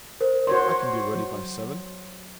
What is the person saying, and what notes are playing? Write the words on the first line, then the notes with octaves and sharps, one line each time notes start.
I can be ready by seven.
A#4 C5
F#4 C5 C#5 C6
F#3